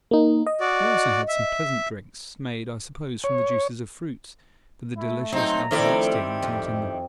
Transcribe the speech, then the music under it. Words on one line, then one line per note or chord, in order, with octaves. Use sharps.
We also had some pleasant drinks, made, I suppose, from the juices of fruits, but the delicious alcoholic sting was not in them.
A#3 D#4
D#5
F#4 D5
E5
C#5
A3 E4
F#3 C4 D#4 A#5
D#3 F3 A3 C4 D4 E4 D5
G4
F2